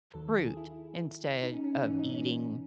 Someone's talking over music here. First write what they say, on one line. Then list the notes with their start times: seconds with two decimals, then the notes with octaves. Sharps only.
fruit instead of eating
0.14 D#2 D#3 F#3 A4
0.36 G#4
0.57 E4
1.43 D#4
1.53 C#4
1.64 C#4
1.74 D#4
1.85 G#2 E3 C#4
1.99 D#4
2.14 C#4